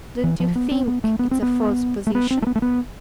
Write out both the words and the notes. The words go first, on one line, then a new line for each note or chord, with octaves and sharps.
"Don't you think it's a false position?"
E3
F3
B3
C4
B3
A3
B3
C4
B3
A3
B3
C4
A3
B3
A3
B3